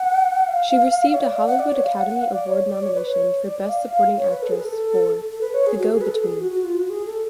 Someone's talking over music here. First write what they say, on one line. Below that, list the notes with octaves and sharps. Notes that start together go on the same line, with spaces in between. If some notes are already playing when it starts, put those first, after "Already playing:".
She received a Hollywood Academy Award nomination for Best Supporting Actress for "The Go-Between".
Already playing: F#5
F5
C#5
D5
F5
F#5
D5
C#5
F5
F#5
F#5
F5
D5
C#5
D5
C#5
B4
C#5
D5
F5
F5
C#5
B4
A4
G#4
B4
A4
A4
B4
C#5
G#4
F#4
G#4
B4
A4
G#4
F#4
F#4
F4
F#4
G#4
A4